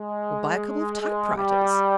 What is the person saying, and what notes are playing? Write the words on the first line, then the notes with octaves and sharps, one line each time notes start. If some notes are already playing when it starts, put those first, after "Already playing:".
We'll buy a couple of typewriters.'
Already playing: G#3
G#3
G3